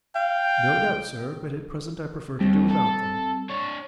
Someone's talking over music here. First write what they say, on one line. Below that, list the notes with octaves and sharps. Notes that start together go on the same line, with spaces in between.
"No doubt, sir, but at present I prefer to do without them."
F5 G5
D#2 G3 C4
A4
D4 C#5